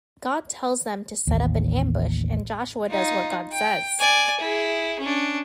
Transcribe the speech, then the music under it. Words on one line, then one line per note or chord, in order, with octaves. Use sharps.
God tells them to set up an ambush and Joshua does what God says.
A1 D#2
D#4 F4
G5
D5 G#5
E4 G#4
C#4 D4